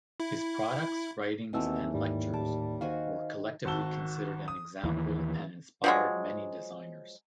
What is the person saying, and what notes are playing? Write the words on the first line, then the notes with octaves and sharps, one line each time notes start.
His products, writings, and lectures were collectively considered an example and inspired many designers.
E4
D#2 B2 E3 A3 C4 A#4 E6
G#2 G3
A2 A5 D6
D#3 F#4 C5 F5 G#5
G#1 D#3 F#4 A5 E6 G7
D#6
D#2 E3
F3 F#3 G#3